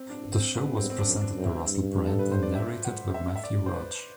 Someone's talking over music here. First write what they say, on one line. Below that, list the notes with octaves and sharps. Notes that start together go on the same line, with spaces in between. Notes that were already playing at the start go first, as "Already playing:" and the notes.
The show was presented by Russell Brand and narrated by Matthew Rudge.
Already playing: C4
D4
C4
B3
G2 C4
C4
D4
F#2
D4
F#2
E4
G2
A4
B4
C5
D5
E5
F#5
E5
E5
D5
C5
B4